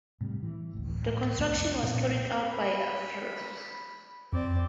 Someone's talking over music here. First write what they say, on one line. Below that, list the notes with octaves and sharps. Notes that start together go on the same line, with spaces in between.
The construction was carried out by Fr.
A2 C3 G3
E3
D1 A1
A2
C2 F2 A3 D4
A#2 B3 C4
B5
F2 C4 D5